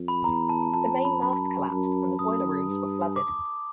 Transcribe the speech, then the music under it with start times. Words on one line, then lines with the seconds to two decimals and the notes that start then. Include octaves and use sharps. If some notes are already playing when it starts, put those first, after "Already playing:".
The main mast collapsed and boiler rooms were flooded.
Already playing: F2
0.08 B5
0.24 E2 A#5
0.49 A5
0.73 F2 A5
1.05 B5
1.22 F#2 B5
1.71 F#2
2.19 F#2 D#6
2.68 G2
3.16 D6